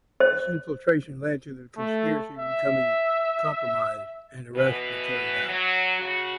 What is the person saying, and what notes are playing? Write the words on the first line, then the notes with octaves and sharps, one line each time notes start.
This infiltration led to the conspiracy becoming compromised and arrests were carried out.
C5
A3
E5
B2 E3 B4
F#3
C#3 F#4